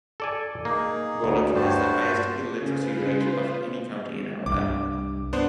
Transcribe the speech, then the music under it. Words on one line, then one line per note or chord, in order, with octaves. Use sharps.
Bullock has the highest illiteracy rate of any county in Alabama.
A4 D5 G#5
A#3 D#4 G#4
D2
G2 F#4 C5 A5
C#3 F4 B4 C5
C#3
C2 G2 D6
B3 D4 C5